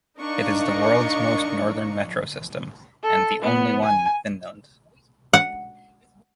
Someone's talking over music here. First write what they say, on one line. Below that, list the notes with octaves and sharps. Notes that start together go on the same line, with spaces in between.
It is the world's most northern metro system, and the only one in Finland.
D4 D#4 A#4 D#5 F5 C#6
A4
B3
G#5
F#5